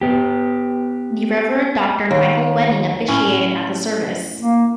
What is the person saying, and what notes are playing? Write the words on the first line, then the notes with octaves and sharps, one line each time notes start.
The Reverend Doctor Michael Wenning officiated at the service.
B3 G4
D#2
A2 C#4
A#3